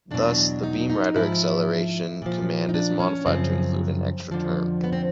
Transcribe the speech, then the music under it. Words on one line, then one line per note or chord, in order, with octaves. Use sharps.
Thus, the beam rider acceleration command is modified to include an extra term.
E2 B2 F#3 D4
D#4
D#4
G#2 F3 E4
A#2 F3
D#4
D4
C#4
F#2 C#3 F3 C4
F2 D3 F3
B3
C4